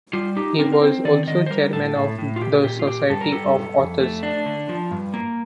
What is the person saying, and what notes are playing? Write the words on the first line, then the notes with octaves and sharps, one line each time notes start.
He was also chairman of the Society of Authors.
G3 F4
D#4 G4
C4 A#4
A#4
C4 C5
D#3 D5
D#3 D#5
C5
G3 A#4
A2 A4
A2
A2
F4
A#2 G4
A#2 G4
F4
A#2 G4
G2 A4
A#4
G3 A4
G2
F2
A3
D4
D3
F3
G2
A#3